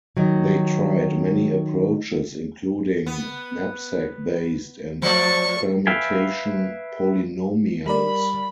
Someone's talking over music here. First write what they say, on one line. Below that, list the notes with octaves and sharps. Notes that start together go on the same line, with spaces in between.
They tried many approaches including "knapsack-based" and "permutation polynomials".
D#3 F#3
B3
F3 A3 C5 D5 C#6
B4 E5 F5 G5 G#5
G3 A#4 D5 B5